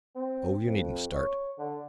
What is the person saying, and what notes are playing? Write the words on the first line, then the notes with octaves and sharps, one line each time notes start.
Oh, you needn't start!
C4
F2
C#5
D3